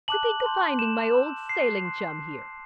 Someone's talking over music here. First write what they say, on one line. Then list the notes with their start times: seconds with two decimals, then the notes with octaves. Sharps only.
To think of finding my old sailing chum here!
0.08 A5 D6 F#6 F#7
0.44 A5 C6 G6
0.79 A5 D6 G6 E7
1.14 C6 E6 G6
1.49 C6 F#6 C7
1.85 C6 F#6